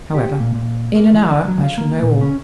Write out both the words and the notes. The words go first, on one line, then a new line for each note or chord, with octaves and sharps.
However, in an hour I shall know all.
G4
A#2
A#2
A#3
E3
D4
F#3
F5
A#3
A#2
C#4